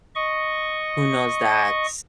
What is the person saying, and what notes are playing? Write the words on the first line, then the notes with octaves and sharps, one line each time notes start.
who knows that
D#5 C#6